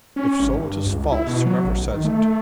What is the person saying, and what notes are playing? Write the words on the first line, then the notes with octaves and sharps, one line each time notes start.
If so, it is false, whoever says it.
C#4
G#1
G2
C#2
E4
B2
F#3
A1
B1
D#3
A3